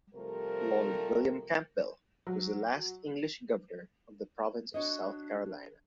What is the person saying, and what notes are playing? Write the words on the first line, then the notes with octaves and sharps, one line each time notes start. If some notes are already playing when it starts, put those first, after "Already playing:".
Lord William Campbell was the last English Governor of the Province of South Carolina.
C3 F3 G3 A3 A#4
F#3
D4 F#4 C#5 D#5